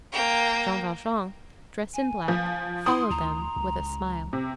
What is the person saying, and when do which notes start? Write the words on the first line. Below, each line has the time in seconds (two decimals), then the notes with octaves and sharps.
Jean Valjean, dressed in black, followed them with a smile.
0.12 A#3 G5
1.94 G#5
2.28 F3
2.86 E4 C6 D#6
3.10 D2 A#5
3.56 C#2
4.33 C3